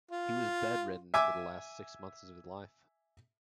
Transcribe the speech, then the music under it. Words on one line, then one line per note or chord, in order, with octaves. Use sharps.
He was bed-ridden for the last six months of his life.
F4
E5 G#5 D6 E6